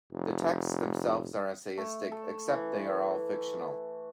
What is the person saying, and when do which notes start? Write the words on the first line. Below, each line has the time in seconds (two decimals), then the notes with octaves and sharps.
The texts themselves are essayistic, except that they are all fictional.
0.13 F1
1.78 A3
2.12 A4
2.49 E3